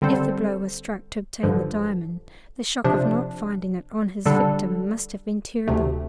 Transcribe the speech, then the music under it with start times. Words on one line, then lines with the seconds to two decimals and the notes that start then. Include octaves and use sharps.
If the blow was struck to obtain the diamond, the shock of not finding it on his victim must have been terrible.
0.02 D3 G3 C4 A4 C5
1.43 G2 D3 F3
2.84 C3 F3 D4
4.26 D3 G3 D4 A4
5.68 D2 C3 A3